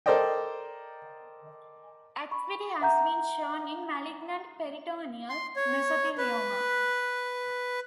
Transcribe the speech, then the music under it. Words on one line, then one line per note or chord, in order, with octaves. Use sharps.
Activity has been shown in malignant peritoneal mesothelioma.
A4 A#4 C5 D5 D#5 G5
B5 C#6
E5 F#5 A#5 G6
C6
C#5
B4